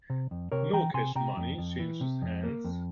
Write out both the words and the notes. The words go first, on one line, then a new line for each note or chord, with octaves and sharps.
No cash money changes hands.
C3
F2
C3 A#4 C#5
E3 G5 A#5
C3 G#5 C6
C3 G5 A#5
F2
F2
E3
C3
F2
A#3
F2